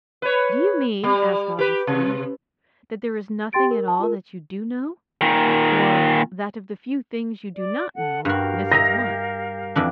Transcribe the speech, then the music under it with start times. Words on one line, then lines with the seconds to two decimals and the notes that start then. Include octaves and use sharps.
"Do you mean," asked Augustine, "that there is nothing at all that you do know, or that of the few things you do not know this is one?"
0.22 B4 C#5
1.03 G3
1.59 G4 B4
1.87 C3
3.53 G4 G5 C6 A6 D7
3.71 A#4
3.88 A5
4.00 F4 A#4
5.21 A#2 D#3
7.55 D5
7.96 A4 F#5
8.25 G2 F#4 G4 A#4 F5
8.72 D#5 E5 A#5 A#6
9.76 F2 E3 D4